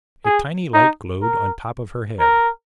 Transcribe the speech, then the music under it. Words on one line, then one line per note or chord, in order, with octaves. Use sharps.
A tiny light glowed on top of her head.
G#4
D#4
A#4
A#4